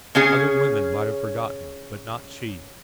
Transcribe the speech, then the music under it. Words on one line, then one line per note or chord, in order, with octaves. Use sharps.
Other women might have forgotten, but not she.
C#3 C#4 G#4